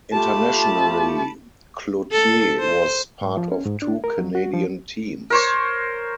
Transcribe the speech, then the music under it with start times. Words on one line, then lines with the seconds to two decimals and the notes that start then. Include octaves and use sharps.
Internationally, Cloutier was part of two Canadian teams.
0.13 A3 F4 G4 A5 B5
2.12 A4
2.59 C5
3.21 G#2
3.37 F3
3.52 C#4
3.66 G#2
3.82 D4
4.04 A#4
4.19 F#3
4.35 F#4
4.53 F3
5.30 A#4 C5 C#5